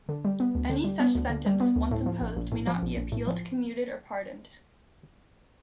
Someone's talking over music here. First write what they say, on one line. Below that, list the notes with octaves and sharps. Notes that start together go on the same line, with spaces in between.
Any such sentence, once imposed, may not be appealed, commuted, or pardoned.
D3
G3
B3
D2
D3
G3
B3
D2
D3
G3
B3
D2
A2
F3
A#1
A#1
A2
F3
A#1
A#1
A2
F3